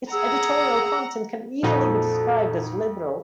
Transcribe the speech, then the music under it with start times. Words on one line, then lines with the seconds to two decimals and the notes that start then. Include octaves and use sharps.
Its editorial content can easily be described as "liberal".
0.13 G#4 F#5 A#5 E6
1.63 F2 A#2 D#4 F#4 A4